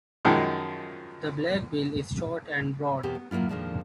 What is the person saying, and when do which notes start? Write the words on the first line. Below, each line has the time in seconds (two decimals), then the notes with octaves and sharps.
The black bill is short and broad.
0.25 F#2 D#3 F3 G#3
3.03 E2 B2 C4 G4 A#4
3.15 B3
3.31 A2 F#3 A#3 E4 F4
3.49 F2 A#2 D#3 F3 G#3 D4